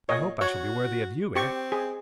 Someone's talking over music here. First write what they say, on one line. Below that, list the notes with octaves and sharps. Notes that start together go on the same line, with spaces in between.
'I hope I shall be worthy of YOU, aunt.
A#2 C#5 D#5
F#4 C#5
C4 G4 C#6
G#4